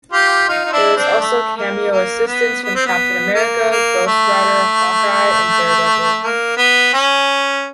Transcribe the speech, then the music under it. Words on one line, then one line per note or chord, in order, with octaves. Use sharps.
There is also cameo assistance from Captain America, Ghost Rider, Hawkeye, and Daredevil.
F4 G4
D#4 F4
D#4
D4 E4
C4 D4
A3
A#3
A#3
B3
B3
C4
B3
A#3
A#3
A3
A#3
B3
C#4